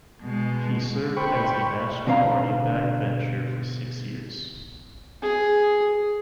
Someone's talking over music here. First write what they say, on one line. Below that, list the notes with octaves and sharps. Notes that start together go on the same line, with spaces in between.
He served as a National Party backbencher for six years.
B2 G#3
C5 G5 B5 C#6
B2 D3 C4 F5 A#5
G#4